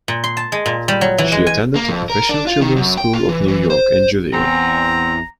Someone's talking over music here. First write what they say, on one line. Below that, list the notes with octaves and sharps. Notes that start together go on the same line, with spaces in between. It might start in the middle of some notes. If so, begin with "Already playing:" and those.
She attended the Professional Children's School of New York and Juilliard.
A#2
C6
A5
G#3
A#2
G3
F#3
E3
G#3
G#5
A#3
F2
A#4
D4
F4
D#3
F#2
G5
F4
E3
E3
C5
E2 C4 A#5